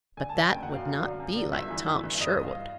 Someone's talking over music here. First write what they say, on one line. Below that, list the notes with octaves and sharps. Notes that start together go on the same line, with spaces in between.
But that would not be like Tom Sherwood!
D3 G#5
A5
D3
G#5
F#1 G5
F#5
F#2
F5
F#2
D3
F#2
D3
G1 E5
E3
E3
G1
E5
G2 D#5
D#5
G2
F5
F5